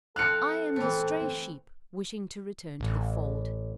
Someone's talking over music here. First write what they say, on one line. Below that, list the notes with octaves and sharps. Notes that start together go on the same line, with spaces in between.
I am the stray sheep wishing to return to the fold.
F3 C4 A4 F5 F#6 C#7
E3 A3 C4
A1